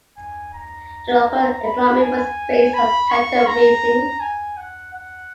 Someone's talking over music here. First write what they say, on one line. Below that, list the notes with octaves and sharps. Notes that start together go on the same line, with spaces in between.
The local economy was based on cattle raising.
G#5
A#5
B5
G#5
B5
C#6
A#5
G#5
F#5
F#5